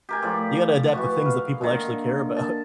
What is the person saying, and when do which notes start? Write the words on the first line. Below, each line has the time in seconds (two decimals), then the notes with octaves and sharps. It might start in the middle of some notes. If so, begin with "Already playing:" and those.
you gotta adapt the things that people actually care about.
0.09 G4 A#4 G#5
0.22 A2 F3 D5
0.94 E3 F#4 C#6
1.26 F5
1.61 A#2 D3 D#3
2.37 A5